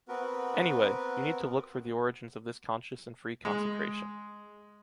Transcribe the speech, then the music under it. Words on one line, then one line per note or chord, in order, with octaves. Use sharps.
Anyway, you need to look for the origins of this conscious and free consecration.
B3 C4 F#4 A#4 B4
G#3